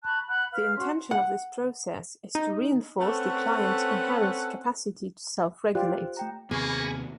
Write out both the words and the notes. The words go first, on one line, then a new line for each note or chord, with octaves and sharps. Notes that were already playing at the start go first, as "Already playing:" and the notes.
The intention of this process is to reinforce the client's inherent capacity to self-regulate.
A5 B5 C#6 F#6
F#5 B5 F#6
B4 F5 F6
C#4 F#4 C6
F#5
D#4
A3 C4 C#4 A4 B4 F#5
F4 G4 C5 D5 F#6
A3 G5 A#5
D#2 C3 A#3 B3 G#4 G#5 B5 C#6